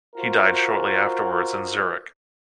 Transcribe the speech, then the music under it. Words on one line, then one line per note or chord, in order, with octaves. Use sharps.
He died shortly afterwards in Zurich.
F4 F#4 A#4 C5